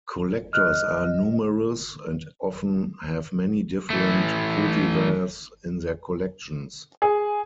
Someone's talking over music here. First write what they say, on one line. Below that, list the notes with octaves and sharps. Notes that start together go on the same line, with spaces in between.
Collectors are numerous and often have many different cultivars in their collections.
D#5 F6 F#6
E3 A3
G#4